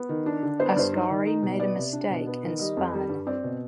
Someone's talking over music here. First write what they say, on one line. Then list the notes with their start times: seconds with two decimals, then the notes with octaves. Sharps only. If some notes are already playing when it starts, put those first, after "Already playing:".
Ascari made a mistake and spun.
Already playing: B3
0.09 D#3
0.26 D4
0.43 D3
0.60 B3 C5
0.69 D5
0.76 G2 C5
0.93 D#4
1.10 D#3
1.26 D#4
1.43 B2
1.60 B3 D5
1.76 C3
1.93 D4
2.10 B2
2.26 B3
2.43 D#3
2.59 G3 D#5
2.77 F2
2.93 G3
3.09 G2
3.27 C4 D5
3.44 B2